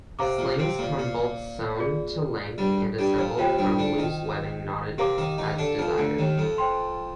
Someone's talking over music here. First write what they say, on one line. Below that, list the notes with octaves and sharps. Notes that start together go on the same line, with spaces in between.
Slings come both sewn to length and assembled from loose webbing knotted as desired.
C3 C5 F5 A#5 D6
A#2 A#3
C3 C4
A#2 A#3
A#2 A#3
F4 G#4 D5
G2 G3
G2 G3
F2 F3
D#2 D#3 F4 C5 G5
G2 G3
D3 D4
D#3 D#4
C3 C4 G4 A#4 F5 A#5 D6
D#3 D#4
D#3 D#4
D3 D4
F2 F3
D2 D3
D#2 D#3
F2 F3
C5 G5 C6